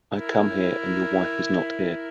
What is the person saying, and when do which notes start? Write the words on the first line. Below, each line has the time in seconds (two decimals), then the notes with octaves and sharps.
I come here, and your wife is not here.
0.17 E4 A#4